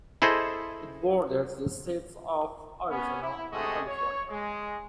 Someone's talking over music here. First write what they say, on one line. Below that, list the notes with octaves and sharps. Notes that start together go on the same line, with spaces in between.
It borders the states of Arizona and California.
E4 G#4 A4 C5 D#5
B3 C#4
E4
C3 G#3 A3 F#4 D#5
C#5
G#3